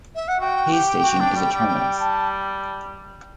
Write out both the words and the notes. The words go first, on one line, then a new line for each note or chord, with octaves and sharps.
Hayes station is a terminus.
E5
F#5
F#4 G5
G4
F#4
D4
G3
G3
G5
A5